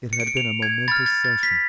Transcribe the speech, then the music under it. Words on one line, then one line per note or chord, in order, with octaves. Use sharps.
It had been a momentous session.
C#7
D7
C#7
F7
G#6
B5 F6 A6
A6
A6
B6